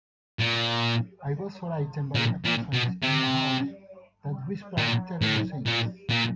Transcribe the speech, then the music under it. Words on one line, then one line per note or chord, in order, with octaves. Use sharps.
I was frightened by a presence in my house that whispered terrible things.
A#2
A#2
A#2
B2
C3
A#2
A2
A#2
A#2